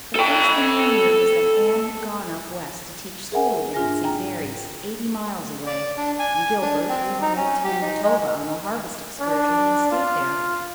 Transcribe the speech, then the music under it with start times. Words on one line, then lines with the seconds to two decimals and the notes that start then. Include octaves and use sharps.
The first thing we knew was that Anne had gone up west to teach school again at St. Mary's, eighty miles away, and Gilbert, he went out to Manitoba on a harvest excursion and stayed there.
0.16 A4 G5
3.32 G#4 A#4 E5 F#5 G#5
3.74 G#2 D4 F4 G#4 G#5 A#6
4.04 G5 A#5
5.67 D5
5.97 D4
6.19 G#5
6.35 G#5
6.61 D4
6.89 C4
7.22 D#4
7.37 C#4
7.64 G4
7.82 D#4
8.04 G#3
9.20 D4
9.91 F4